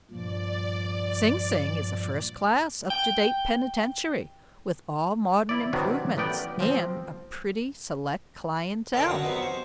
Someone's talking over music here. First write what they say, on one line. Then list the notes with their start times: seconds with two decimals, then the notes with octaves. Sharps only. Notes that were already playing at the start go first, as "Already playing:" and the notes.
'Sing Sing is a first-class, up-to-date penitentiary, with all modern improvements, and a pretty select clientele.'
0.11 G2 A#2 F3 D5
2.90 G5
5.49 E4 D5
5.73 C3 D#3 F#3 B3 C4 D4
6.17 A1 A3 B3 A#4 D5 G5
6.60 F3 C4
8.94 A4 A#4 C#5 D#5 F5 G5
9.08 F#2 D3 F#4 C#5 D#6
9.22 C3 F#3 B3 D#4 F4
9.38 C5 C#6